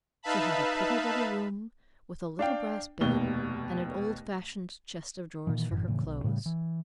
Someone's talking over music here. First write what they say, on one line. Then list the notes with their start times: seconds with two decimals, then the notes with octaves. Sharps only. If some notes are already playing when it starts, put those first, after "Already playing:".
She had a pretty little room, with a little brass bed, and an old-fashioned chest of drawers for her clothes.
0.23 D#4 B4 E5 F5 A5 B5
2.39 D4 F5 G5
3.01 F1 D#2 B2 G7
5.47 A#2 D#3 E3
5.70 G1 F#2 A2 E3
5.87 F1 A2 C#3 E3
6.04 B1
6.24 A2 C#3 G3
6.46 E3